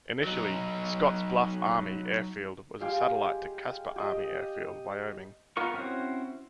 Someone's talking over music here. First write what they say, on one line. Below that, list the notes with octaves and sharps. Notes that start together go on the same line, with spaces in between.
Initially, Scottsbluff Army Airfield was a satellite to Casper Army Air Field, Wyoming.
F#3 D#4
G#3 G4 F5 G#5
G4 D#5
B3 D#4 F4 A#4 C#6
C4 C#4 E4 F#4 C5